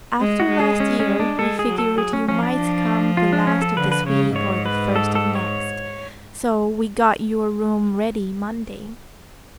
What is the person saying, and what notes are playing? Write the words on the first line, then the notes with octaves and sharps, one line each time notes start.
"After last year, we figured you might come the last of this week or the first of next, so we got your room ready Monday."
G#3
F#4
G#3
G#4
C#4
C#4
D4
G#3 A4
G#4
F#3
A4
G#4
C#4
F3 C#4
D4
F3
F4
D4
C#4
A4
D3 B4
B4
C#3 C#5
G#2 C#5
B4
A4
A4
C#5